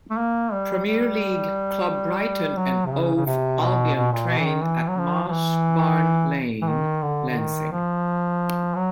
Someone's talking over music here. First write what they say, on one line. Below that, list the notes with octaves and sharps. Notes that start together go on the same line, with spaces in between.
Premier League club Brighton and Hove Albion train at Mash Barn Lane, Lancing.
A3
A#3
G3
G3
F#3
C3
C#3
C#3
C3
B2
B2
A#2
B2
E3
D#3
E3
F#3
F3
F3
E3
E3
D#3
D3
D3
D#3
F3
F#3